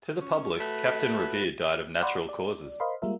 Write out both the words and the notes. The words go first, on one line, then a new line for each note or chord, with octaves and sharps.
To the public, Captain Revere died of natural causes.
C#4
A3 F#4 B4
D5 F#5 B5 C6 D6
D5
A#4 C5 D#5 F5 B5 C6
G3 G#3 A#3 F4 A#4 E5